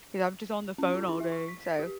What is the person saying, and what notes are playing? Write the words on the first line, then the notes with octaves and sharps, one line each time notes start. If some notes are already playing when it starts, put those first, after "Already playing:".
goes, "I'm just on the phone all day." So
C#4
F4
E4
E5
C#6
B6
B6
G4